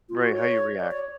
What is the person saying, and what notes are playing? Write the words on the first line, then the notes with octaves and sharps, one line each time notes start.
Right, how you react?
F4
F#4
C#5
D5
C#5